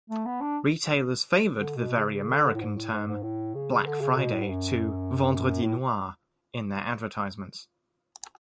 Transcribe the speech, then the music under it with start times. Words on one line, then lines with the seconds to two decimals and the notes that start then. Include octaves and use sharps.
Retailers favored the very American term "Black Friday" to "Vendredi noir" in their advertisements.
0.10 A3
0.26 B3
0.41 D4
1.56 D3
1.76 B2
1.97 C#3
2.30 D3
2.54 A2
2.61 G#2
2.76 A2
2.92 G#2
3.07 G#2
3.23 A2
3.55 C#3
3.86 D3
4.01 C#3
4.11 C#3
4.17 B2
4.32 A2
4.42 G#2
4.49 F#2
5.62 A2